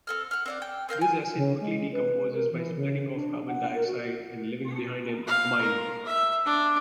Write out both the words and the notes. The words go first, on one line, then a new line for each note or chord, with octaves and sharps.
This acid quickly decomposes by splitting off carbon dioxide and leaving behind an amine.
C4 A4 F6
F#5 F6
C4 D5 F#5
G5
C4 A#4 F5 G6
G#5
C#3
G#3
B4
A#4
E3
C#3
D4
F#5
A#4
F#4
F5
A#4
E5
D4